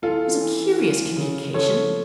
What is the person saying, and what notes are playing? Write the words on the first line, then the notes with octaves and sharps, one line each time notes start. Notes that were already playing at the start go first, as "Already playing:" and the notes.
It was a curious communication.
E3 F4 A4
E3
E3
C#3
F3 A4 C#5